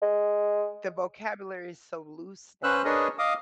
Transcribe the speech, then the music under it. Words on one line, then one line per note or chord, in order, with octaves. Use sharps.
the vocabulary is so loose now.
G#3
C#4 B4 C5 E6 F#6
D4 G#4 A#4 B4 C#5 D#5
D#5 F5 D6 D#6